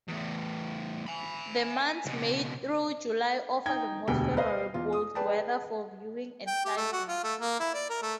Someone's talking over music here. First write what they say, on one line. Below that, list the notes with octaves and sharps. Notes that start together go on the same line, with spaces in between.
The months May through July offer the most favorable weather for viewing and climbing.
E2 A2
G#5 B5
C#2 B2
D#4 G5 G#6
E1 D2 B2 G4 G5 G#5
B4 C5 D#5 F5
E2 F4
D#6
G#4 B4 D5 G5 A5
G5
G4
A3
F#4
F4
A3
A#3
E4
D5
A#4
A3